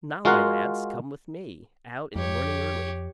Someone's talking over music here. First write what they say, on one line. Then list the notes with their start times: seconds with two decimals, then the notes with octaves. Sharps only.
"Now, my lads, come with me, Out in the morning early!"
0.25 G#3 F4 F#4 A#4 F5 F#5
2.16 F2 G4 C#5